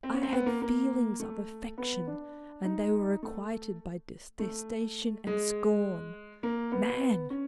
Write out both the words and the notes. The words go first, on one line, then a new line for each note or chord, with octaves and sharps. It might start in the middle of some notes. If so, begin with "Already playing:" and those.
I had feelings of affection, and they were requited by detestation and scorn. Man!
C4
C#4
C4
B3
A#3
A#3
A3
B3
D4
D#4
A3
A3
G#3
A#3
B3
C#4